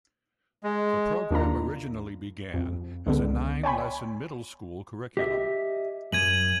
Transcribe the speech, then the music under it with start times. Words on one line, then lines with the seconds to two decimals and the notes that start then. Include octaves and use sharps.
The program originally began as a nine lesson middle-school curriculum.
0.63 G#3
1.31 D#2 D4 F4 A#5
2.54 F2
3.07 C#2 D3 B3
3.63 C#5 G5 G#5 B5
5.17 G4 D#5 E5
6.12 F#2 G#6 D#7 F#7